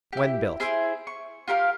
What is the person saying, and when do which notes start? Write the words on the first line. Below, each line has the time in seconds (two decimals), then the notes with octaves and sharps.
When built?
0.13 E4 G4
0.60 E4 G#4 C5
1.07 C#6
1.48 F4 G4 A#4 F5